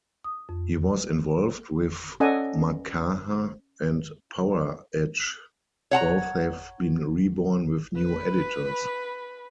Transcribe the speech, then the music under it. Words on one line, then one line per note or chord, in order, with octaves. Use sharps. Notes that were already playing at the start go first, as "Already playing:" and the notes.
He was involved with Makaha and "Poweredge"; both have been reborn with new editors.
D#6
F2
C#4 A4 D5 D#5 F#5 G#5
C#5 F#5 A5 A#5
B4 B5